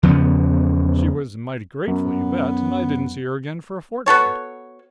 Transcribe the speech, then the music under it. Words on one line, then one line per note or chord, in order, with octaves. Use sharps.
She was mighty grateful, you bet, and I didn't see her again for a fortnight.
E2 C#3 F3 B3
F#2 B3
B3 F#4 A4 C#5